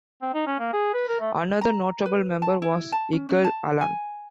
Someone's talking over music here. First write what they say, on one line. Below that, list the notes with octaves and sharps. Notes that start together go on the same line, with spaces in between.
Another notable member was Yigal Allon.
C4
D#4
C#4
A#3
G#4
B4
A#4
A3
A#5
B4
A5
E4
A5
C#4
C#4
A5
G#5